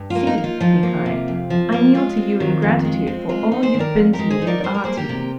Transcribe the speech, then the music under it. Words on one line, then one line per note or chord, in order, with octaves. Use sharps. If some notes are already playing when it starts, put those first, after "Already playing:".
"See," he cried, "I kneel to you in gratitude for all you've been to me and are to me."
Already playing: G2
A#3 F4
D#4
D#4
F4
F3 F4
A#3
C3
F2
F3
A#3
G#3 F4
C4
D#3
F2
G#3
C4
G#3 F4
D#4
G#4 C5
D#3
A#4 D5
F2
G4 A#4
G#3
G#4 C5
D#4
A#4 D5
G3 C5
A#4
A#3 G#4 C5
G4 A#4
C3